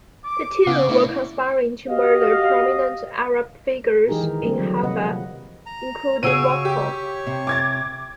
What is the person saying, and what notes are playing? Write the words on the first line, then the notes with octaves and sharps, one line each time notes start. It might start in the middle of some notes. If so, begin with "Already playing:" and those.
The two were conspiring to murder prominent Arab figures in Haifa, including Makhoul.
D6
C#3 B3 F5 F#5
B2 A3 D4 E4
F#4 G4 D#5 F5
E3 G#3 D#4 G4 G#4 A#4
D#3
D3 G3 A3 C4
F#3
C3 A#3 B4 D#5 F#5
F3
A#5
C#3 F#4 G#4 C#5 E6 D7 D#7
G4
C3
D6 G#6 A6